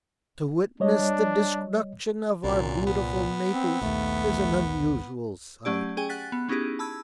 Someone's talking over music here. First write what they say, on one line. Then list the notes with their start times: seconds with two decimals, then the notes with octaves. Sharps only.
To witness the destruction of our beautiful Naples is an unusual sight.
0.80 G3 D4 C#5 D#5
2.44 C2 F#2 A#2
2.87 B3
3.52 C4
3.81 A#1 D#2 A3
5.65 F#3 A3 C#4 G4 D5
5.97 C#4 G#4 G5 G#5
6.09 F#5 F#6 A6 B6
6.32 B3
6.49 B3 C#4 D#4 E4 G4 G#4
6.79 A5 B5 E6 G#6